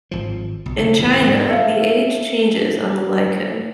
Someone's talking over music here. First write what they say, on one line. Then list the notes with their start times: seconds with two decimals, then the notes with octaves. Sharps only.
In China, the age changes on the lichun.
0.11 G#1 F3
0.66 B1
0.78 C#3 A#3
0.99 D1 E2
1.25 G#2 B3
1.48 A4 E5 F5